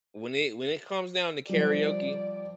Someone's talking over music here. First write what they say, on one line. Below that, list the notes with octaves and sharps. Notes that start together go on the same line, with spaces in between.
when it when it comes down to karaoke
F3 G3 D5